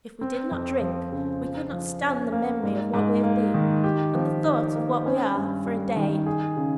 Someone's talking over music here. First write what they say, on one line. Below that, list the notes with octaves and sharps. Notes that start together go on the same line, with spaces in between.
If we did not drink, we could not stand the memory of what we have been, and the thought of what we are, for a day.
C4
F2
F3
C#3
F4
F3
C#4
A#3
G#2
G#2
A#3
D#3
G4
F3
D#4
A#3
C#4
G2
G3
D#3
G#4
C#3